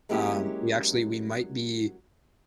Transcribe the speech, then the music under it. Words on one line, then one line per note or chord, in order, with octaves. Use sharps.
um, we actually we might be
F#3 G#3 A#3 C#4 E4 G4